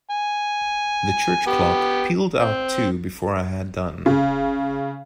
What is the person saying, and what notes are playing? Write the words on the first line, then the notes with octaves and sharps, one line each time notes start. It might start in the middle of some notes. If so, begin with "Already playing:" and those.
The church clock pealed out two before I had done.
G#5
B3 G4
C4
C#3